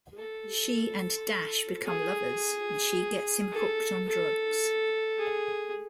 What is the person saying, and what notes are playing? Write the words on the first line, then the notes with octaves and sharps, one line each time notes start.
She and Dash become lovers, and she gets him hooked on drugs.
A4
G#4
A4
A4
G#4